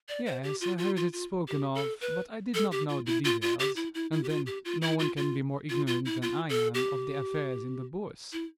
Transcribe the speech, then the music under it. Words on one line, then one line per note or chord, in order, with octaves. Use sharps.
"Yes, I heard it spoken of, but I did not know the details, and then no one can be more ignorant than I am of the affairs in the Bourse."
D5
C5
G4
F4
F4
F4
F4
G4
A4
B4
A4
G4
F4
E4
F4
F4
G4
E4
E4
E4
G4
F4
G4
F4
E4
F4
F4
F4
F4
E4
F4
A4
G4
E4